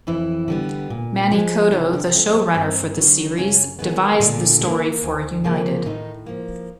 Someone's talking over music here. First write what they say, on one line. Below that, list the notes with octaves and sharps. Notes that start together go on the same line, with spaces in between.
Manny Coto, the showrunner for the series, devised the story for "United".
F2 E3 E4
D3 G3 B3
A#2
F3 G#3
C3 D#3 D#4
D3 D4
F3 A3 C4
B3
G2 C4
D3 F#3
F#2 C#3 C#4
D#3 G#3 B3
A#2 D3 D4
G3
A#3
D2
C#3 F3 A#3
A2 D#3 D#4
F3 A#3